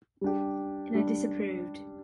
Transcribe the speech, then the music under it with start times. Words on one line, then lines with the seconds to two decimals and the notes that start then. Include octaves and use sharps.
And I disapproved.
0.21 G3 D4 G4
0.94 G3 D4 G4